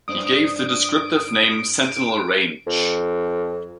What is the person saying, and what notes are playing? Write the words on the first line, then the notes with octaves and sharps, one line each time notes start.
He gave the descriptive name Sentinel Range.
G2 D4 C5 D#6 D7
F2